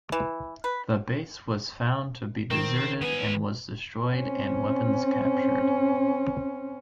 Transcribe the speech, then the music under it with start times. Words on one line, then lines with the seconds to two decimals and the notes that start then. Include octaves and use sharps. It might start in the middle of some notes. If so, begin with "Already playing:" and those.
The base was found to be deserted and was destroyed and weapons captured.
0.12 E3
0.64 B4
2.51 D#3 C4
3.02 D#3 B3 G#5
4.13 C4 C#4